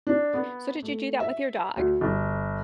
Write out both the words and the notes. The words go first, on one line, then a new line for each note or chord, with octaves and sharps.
So, did you do that with your dog?
D4
B3
A3
E5
D2
G1